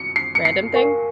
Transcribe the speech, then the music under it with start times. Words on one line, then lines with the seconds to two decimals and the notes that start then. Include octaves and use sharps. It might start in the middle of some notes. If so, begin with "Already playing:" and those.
random thing?
Already playing: C#7
0.16 C7
0.35 C#7
0.45 C7
0.73 A#4 F5 G#5 C#6